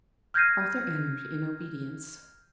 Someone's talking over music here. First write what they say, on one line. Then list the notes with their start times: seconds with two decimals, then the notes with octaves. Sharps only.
Arthur entered, in obedience.
0.34 F6 G6 G#6 A#6 C7 D#7